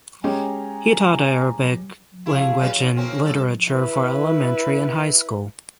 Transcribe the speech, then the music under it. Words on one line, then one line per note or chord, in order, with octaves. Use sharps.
He taught Arabic language and literature for elementary and high school.
G#3 C#4 G4 G#5 A#5
E4 F4 G#4 C#5 F5
A5
C#3 F#3 B4
F2 D#4
A#3 C4 C#4
G2 E4 A4
E4 B4